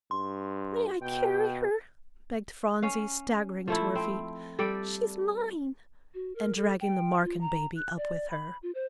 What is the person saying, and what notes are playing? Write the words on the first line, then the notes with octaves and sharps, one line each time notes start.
"May I carry her?" begged Phronsie, staggering to her feet--"she's mine"--and dragging the Marken baby up with her.
G2 C6
B2 G5
C#4 F5
F3 A3 E4
C4
G3 A4 D5 G5
F#4
A#4
A4
G5
F4
A#5
F#6
D5
B5
F4
C5